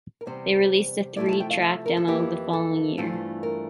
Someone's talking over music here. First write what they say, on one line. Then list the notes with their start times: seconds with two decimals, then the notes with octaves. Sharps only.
They released a three track demo the following year.
0.21 A#4
0.26 E2 C3 G3 C4 C5
1.16 C3 F3 A3 E4 D5
1.29 A5
1.40 G5
1.50 F5
1.62 E5
1.86 A#4
1.97 A4
2.07 F2 E3 A#3 E4 G4
2.53 A4
2.98 G2 E3 A3 C4 F4
3.43 A#4